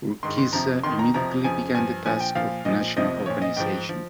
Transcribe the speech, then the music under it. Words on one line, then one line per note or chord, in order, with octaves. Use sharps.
Urquiza immediately began the task of national organization.
G#2 D#3 C6
C6
F2 C3 F3 A#5
F2 D#3 C6
A#5
F2 C3 F3 A#5
F2 C#3 F3 G#5
G2 F3 G#5
A#2 F3 G#5
G5
A#2 F3 F5
A#2 F3 D#5
F2 C3 F3 D#5
A#2 F3 C#5
D#5
G#2 F3 G5
F3